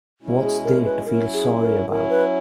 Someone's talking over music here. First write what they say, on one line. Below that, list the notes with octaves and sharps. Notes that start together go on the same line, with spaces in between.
What's there to feel sorry about?
B2 G#3 C#4 E4
G#4
A#4
B4
F#3 C#4 E4 A#4
G#4
A#4
F#3 C#4 E4 A#4
B4